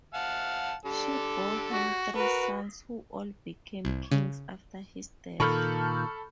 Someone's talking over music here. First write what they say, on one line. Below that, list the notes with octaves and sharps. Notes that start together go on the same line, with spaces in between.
She bore him three sons who all became kings after his death.
F5 F#5 A5
D3 G3 A4
F#4
F#4 A#4 B4
C2
C#3
A#2 D#3 A4 A5 B5 C#6 F6 G6